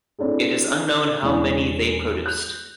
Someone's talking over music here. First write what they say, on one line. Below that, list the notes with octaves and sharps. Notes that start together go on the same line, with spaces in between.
It is unknown how many they produced.
A3 C4 D4 E4 G#4
E1 E2 E3 C#4 D4 G#5
F#6 G6 F7